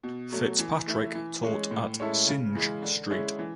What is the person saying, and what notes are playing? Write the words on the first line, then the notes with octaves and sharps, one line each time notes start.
Fitzpatrick taught at Synge Street.
B2
F#3 A3
E3
A3 E4
E3
G#3 C#4
A2
G#3 C#4 E4 A4
C#3
E3 G#3
D3
G#3 C#4 E4 G#4
E3